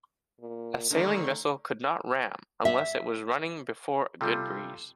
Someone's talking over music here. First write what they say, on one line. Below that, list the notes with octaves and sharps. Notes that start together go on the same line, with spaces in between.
A sailing vessel could not ram unless it was running before a good breeze.
A#2
D3 D#3 A3 D4
E5
C3 G3 F4 A4